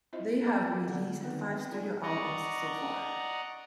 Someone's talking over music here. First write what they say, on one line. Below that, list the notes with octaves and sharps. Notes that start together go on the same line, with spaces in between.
They have released five studio albums so far.
C4 E4 F4 C5 D#5 E5
G3 A3 D6
D3 B3 D5
D#3 B3 C4 D#4
A3 C4
D#4 F4 G#4 D5 G#5
D5 D#5 F#5 A#5 C#6